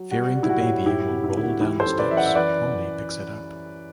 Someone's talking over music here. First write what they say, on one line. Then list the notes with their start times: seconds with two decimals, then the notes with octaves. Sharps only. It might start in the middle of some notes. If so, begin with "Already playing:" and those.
Fearing the baby will roll down the steps, Polly picks it up.
Already playing: F#3
0.11 G3 F#4
0.36 G3
0.43 E4
0.49 F#4
0.61 A2
0.86 G3 E4 G4
1.05 F#4
1.11 C3
1.24 E4
1.36 D2 E4
1.43 F#4
1.61 E3 E4 G4
1.80 A4 C5
1.86 F#2
1.98 B4 D5
2.11 E3 E5
2.17 D5 F#5
2.26 E5
2.35 E3 B4 D5